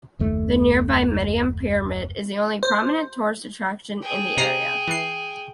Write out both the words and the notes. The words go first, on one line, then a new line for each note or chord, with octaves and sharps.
The nearby Meidum pyramid is the only prominent tourist attraction in the area.
F#1 D#2 A3
C5
G#4 G5
C3 A#5 C7
E3 C7